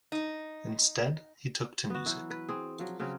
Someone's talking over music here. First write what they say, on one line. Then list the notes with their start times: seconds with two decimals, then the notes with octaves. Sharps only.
Instead, he took to music.
0.12 D#4
1.90 B3 F#4
2.06 E3 F#3 E4
2.30 B4
2.48 C4 G#4
2.79 F3 F#3
3.00 C#3 F#3 C4 C#4